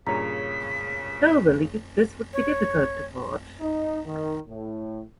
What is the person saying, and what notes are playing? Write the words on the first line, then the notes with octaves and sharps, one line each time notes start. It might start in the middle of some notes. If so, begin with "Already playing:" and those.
Hill believed this would be difficult to forge.
G2 A#2 C#3 C#5 A#5 B6
C#5
D#4
D#3
A2